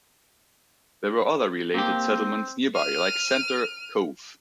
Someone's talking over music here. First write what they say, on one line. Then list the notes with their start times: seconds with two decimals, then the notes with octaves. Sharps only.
There were other related settlements nearby like Centre Cove.
1.74 A#3 C4 G4
2.75 F6 D#7